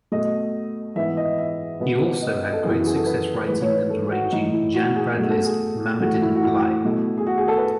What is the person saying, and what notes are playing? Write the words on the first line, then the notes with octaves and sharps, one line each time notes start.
He also had great success writing and arranging Jan Bradley's "Mama Didn't Lie".
B2 A3 D#5
G#2 E3 B3 E5
D#5
E5
B2 G#3 B3
D#5
D#5
A4
F#2 E3 B3 G#4
E4
F#4
G#4
A4
B4
G#2 E3 A3 B4
C#5
B4
A4
G#4
F#4
A2 E3 A3 D#4
E4
F#4
G#4
B2 A3 F#4
A4
G#4
A2 E3 A3 F#4
E4
F#4
E4
B2 A3
G#4
F#4
G#4
A4
B4